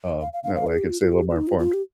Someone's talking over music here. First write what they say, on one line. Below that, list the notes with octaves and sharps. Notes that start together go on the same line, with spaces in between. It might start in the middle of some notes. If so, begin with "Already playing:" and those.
Um, that way, I could stay a little more informed.
F5
F5
F5
F5
G#4
G4
F4
F4
G4
F4
D#4
F4
F4
G4